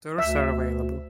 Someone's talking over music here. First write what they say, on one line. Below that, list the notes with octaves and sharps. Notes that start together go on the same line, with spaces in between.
Tours are available.
D2 E5